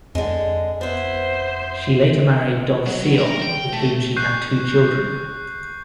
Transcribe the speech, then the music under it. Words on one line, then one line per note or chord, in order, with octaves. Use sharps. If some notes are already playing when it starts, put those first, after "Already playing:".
She later married Dov Sion, with whom she had two children.
F2 D3 G#3
B3 E4 C5
F#3
A#4
G5
A3
C#6 F#6 G6 C7